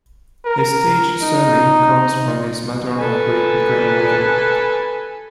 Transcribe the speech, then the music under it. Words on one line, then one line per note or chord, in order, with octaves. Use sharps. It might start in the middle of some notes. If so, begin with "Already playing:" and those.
His stage surname comes from his maternal great-grandmother.
A#4
D#4
A4 B4 G#5